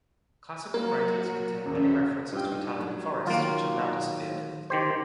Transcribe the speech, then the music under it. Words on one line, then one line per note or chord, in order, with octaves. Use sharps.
Classical writers contain many references to Italian forests which have now disappeared.
F#3 A#3 F#4 A#4
E1 C#4 F#4 C5 E5
G2 F4 G5
D#4
F#3
D#3 F#3 A#3 F4
D#3 G4 C5